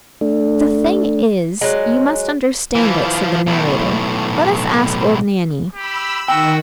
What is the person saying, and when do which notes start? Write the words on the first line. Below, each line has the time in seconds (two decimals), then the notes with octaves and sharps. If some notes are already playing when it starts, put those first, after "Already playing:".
"The thing is, you must understand it," said the narrator; "let us ask old Nanny."
0.21 A3 D4
1.61 F#3 G#3
2.75 E3 F3
3.47 B1 A2
5.74 G4 B5 E6
6.28 D#3 F#4 G5 E6